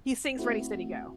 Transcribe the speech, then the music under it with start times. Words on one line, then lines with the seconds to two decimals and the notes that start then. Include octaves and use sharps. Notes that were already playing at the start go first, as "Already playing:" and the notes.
he sings "Ready Steady Go!"
0.38 A3 C4 E4 F#4